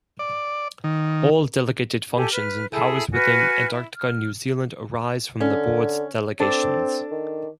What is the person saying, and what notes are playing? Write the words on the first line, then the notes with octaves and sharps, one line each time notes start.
All delegated functions and powers within Antarctica New Zealand arise from the Board's delegations.
D5
D#3
G4 A4 G#5
B4 F6
E4 G#4 A4
F#4 B4 G#5 F6
E4
F6
D3 C#4
C4 D4 A4
D#3